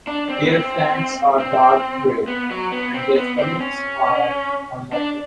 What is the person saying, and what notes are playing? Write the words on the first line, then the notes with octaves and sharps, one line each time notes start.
Their flanks are dark gray, and their stomachs are a lighter gray.
D4
C4
B3
C4
C4
B3
F#3
B3
C4
B3
C4
C#4
D4